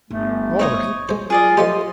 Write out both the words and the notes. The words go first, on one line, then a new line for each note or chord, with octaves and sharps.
'All right.
G1 A3
C4 D#4 C5 C#5 D#5
F#3 G#3 C5
F4 G#4 D5 D#5
F3 A3 G4 D#5 C6